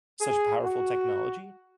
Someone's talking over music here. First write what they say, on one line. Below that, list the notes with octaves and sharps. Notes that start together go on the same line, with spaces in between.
such powerful technology
G#4
F#4